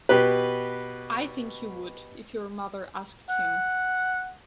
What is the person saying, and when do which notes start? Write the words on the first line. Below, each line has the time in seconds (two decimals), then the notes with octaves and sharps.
I think he would, if your mother asked him.
0.09 B2 G4 B4
3.30 F#5